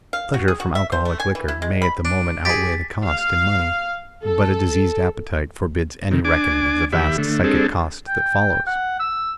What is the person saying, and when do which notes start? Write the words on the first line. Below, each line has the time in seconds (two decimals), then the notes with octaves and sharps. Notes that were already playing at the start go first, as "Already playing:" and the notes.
The pleasure from alcoholic liquor may at the moment outweigh the cost in money, but a diseased appetite forbids any reckoning of the vast psychic cost that follows.
0.13 F5
0.34 F#4
0.48 G#4
0.60 F#4
0.75 E5
0.92 C5
1.05 A3
1.20 G#5
1.35 E3
1.48 E4
1.62 G#3
1.82 B5
2.05 D4
2.45 G4 G#4 A6 B6
3.05 F5
4.24 A4
6.11 C3 D#3
6.25 D4 G#5 D6
6.92 D#2 G4 E5 B5
7.18 D3 A3
7.44 G3 C4 D4 G#4 A4
8.08 G5
8.67 F#5
9.00 E6